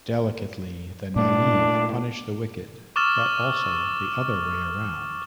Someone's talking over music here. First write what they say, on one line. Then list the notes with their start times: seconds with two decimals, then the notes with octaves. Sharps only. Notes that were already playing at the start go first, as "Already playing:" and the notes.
Delicately, the naive punish the wicked, but also the other way around.
1.16 A#2 A3 D4
2.96 C#6 D6 E6 F6 A6 E7